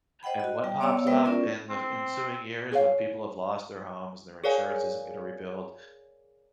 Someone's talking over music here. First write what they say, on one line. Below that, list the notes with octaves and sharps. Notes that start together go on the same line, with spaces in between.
And what pops up in the ensuing years when people have lost their homes and their insurance isn't gonna rebuild,
C5 D#5 F#5 G5 B5
F#4 D#5
G3 G5
B3 C#5 D5 F5 E6
G#3 B3 A#4 B4 E5 G5
C#4 E4 F4 A#4 D5
C4
G#4 C#5 F5
G#4 A#4 C#5 D5 F5 G#5